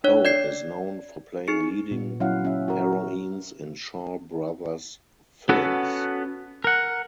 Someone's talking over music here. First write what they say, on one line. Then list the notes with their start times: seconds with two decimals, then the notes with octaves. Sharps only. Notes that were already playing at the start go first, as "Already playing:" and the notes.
Ho is known for playing leading heroines in Shaw Brothers films.
0.04 D4 C#5
0.25 D5 G#6 C7
1.48 D#4 G#4 C#7
1.91 A#2 B3
2.20 F#3 C#4 E4 F5 F#5
2.45 C#4 E5
2.68 F#4 A#4
5.49 B3 C#4 F#4 A4 B4
6.64 A#4 F#5